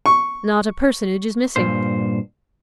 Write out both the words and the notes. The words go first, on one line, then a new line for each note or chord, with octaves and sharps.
Not a personage is missing.
C#6
G2 A#2 C5